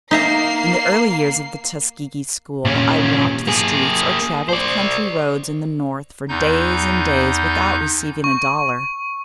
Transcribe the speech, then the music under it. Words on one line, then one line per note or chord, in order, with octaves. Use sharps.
In the early years of the Tuskegee school I walked the streets or travelled country roads in the North for days and days without receiving a dollar.
A#3 D#4 E5 A#5 C7
A#2 C#4
A#3 G#4
C5 D5
E2 D#4 G6
C#6